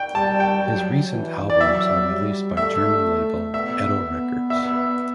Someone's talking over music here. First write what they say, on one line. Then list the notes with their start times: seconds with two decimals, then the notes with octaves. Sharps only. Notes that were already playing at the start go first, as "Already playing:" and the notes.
His recent albums are released by German label, Edel Records.
Already playing: G5
0.15 G3 A5
0.40 G5
0.63 F#3
1.12 E3
1.50 D5
1.61 F#3 E5
2.09 G3
2.57 A3 E5
3.54 B3 E5
4.02 B3
4.50 E5